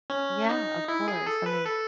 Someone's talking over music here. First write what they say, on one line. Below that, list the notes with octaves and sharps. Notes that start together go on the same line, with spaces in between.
Yeah, of course. I mean,
C#4
D#4
E4
G#4
A4
B4
A4